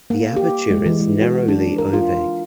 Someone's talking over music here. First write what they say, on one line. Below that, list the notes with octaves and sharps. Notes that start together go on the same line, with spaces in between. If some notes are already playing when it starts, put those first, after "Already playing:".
The aperture is narrowly ovate.
A#3
G4
G#3
E3
G#3
F#4
D4
A#4
F4